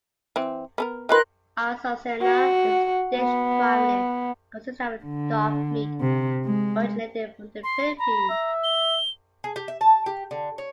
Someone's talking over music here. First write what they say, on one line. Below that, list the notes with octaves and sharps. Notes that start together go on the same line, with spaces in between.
Asocena is a dish primarily consisting of dog meat originating from the Philippines.
E3 C4
B3 A4 A#4
D#3 F4 A#4 B4 C6 F#6
F#4
B3
D3
C3
G#3
C6
A#5 B5
E5
G7
G#4
G4
E5
A5
G4
D3
C#5